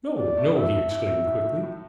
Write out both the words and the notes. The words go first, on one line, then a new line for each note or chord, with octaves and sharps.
"No, no," he exclaimed quickly.
A2 D5
A3
A2 E5
F#3
A2 E5
F#3
A2
A2
A2